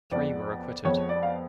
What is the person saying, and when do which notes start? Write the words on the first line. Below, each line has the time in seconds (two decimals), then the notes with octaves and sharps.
Three were acquitted.
0.11 F2 F3 G#3 B3 D5
0.85 F2 F3 G#3 B3 C#5
1.09 D5
1.23 F5